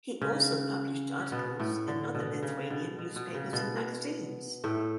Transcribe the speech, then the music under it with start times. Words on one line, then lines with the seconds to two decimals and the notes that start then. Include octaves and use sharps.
He also published articles in other Lithuanian newspapers and magazines.
0.22 C#3 C#4
1.20 C#4
1.32 B2 B3
1.60 A2 A3
1.88 D3
2.15 B2
2.43 C#3
2.70 B2
2.99 B2
3.16 B2
3.35 C#3
3.53 B2
4.64 A2 A3